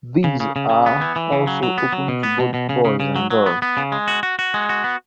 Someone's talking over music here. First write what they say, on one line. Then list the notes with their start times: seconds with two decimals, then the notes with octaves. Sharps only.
These are also open to both boys and girls.
0.24 C#3
0.40 C#3
0.56 C#3
0.70 C#3
0.86 B3
1.01 E3
1.16 E3
1.32 C#3
1.47 F#3
1.63 F#3
1.78 B3
1.92 F#3
2.08 B2
2.23 B3
2.39 B2
2.54 B2
2.69 C#3
2.85 C#3
3.00 C#3
3.16 F#3
3.31 F#3
3.46 B3
3.62 B3
3.77 C#3
3.92 G#3
4.08 F#4
4.23 F#4
4.39 F#4
4.54 G#3
4.69 F#4
4.84 B3